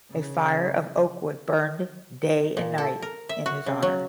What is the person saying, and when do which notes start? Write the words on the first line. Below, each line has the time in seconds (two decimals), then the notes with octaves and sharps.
A fire of oak wood burned day and night in his honor.
0.11 C#3
2.57 A#2
2.78 A4
3.02 A#4
3.29 E5
3.46 F#4
3.66 C#3
3.82 F#3